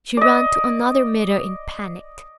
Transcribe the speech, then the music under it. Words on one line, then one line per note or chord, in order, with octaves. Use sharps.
She ran to another mirror in panic.
D5 D#5